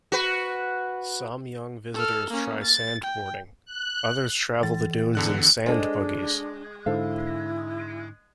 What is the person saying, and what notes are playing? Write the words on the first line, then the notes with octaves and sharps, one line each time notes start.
Some young visitors try sandboarding; others travel the dunes in sand buggies.
F#4 B4
A4 F6
A#3 C#4
A6
G5
F#6
E3 A6
E2 D3 F#6
G#3 D4 A4 C5
G#2 D3 E4 A4 C5 F5